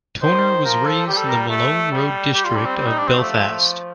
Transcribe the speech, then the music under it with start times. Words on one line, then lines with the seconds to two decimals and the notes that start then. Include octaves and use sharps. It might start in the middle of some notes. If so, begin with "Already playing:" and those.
Toner was raised in the Malone Road district of Belfast.
0.22 D#3 C5
0.65 F3 A#4
0.85 A4
1.07 G3 G4
1.17 A4
1.28 A#4
1.49 A3
1.92 G3
2.34 G3 G4
2.45 F4
2.55 D4
2.66 C4
2.76 C4
2.87 D#4
2.97 D4
3.08 C4
3.19 F3 A3